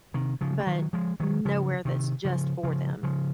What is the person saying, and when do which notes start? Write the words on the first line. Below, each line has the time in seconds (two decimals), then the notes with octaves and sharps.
but n nowhere that's just for them,
0.14 C3 D#3
0.41 C#3 F3
0.60 G#3
0.67 D#3 F#3
0.93 F3 G#3
1.20 D#3 F#3
1.45 C#3 F3
1.85 C3 D#3
2.25 C#3 F3
2.63 C#3 F3
3.03 C#3 F3